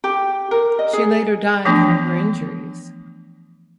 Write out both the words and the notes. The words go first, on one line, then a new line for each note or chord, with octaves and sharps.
She later died from her injuries.
G4
A#4
D#5
G#4
E3 F3 A3 B3 D4